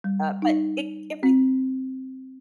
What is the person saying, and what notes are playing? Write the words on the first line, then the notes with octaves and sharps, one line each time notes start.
uh, but it if we
G3
D#4
C4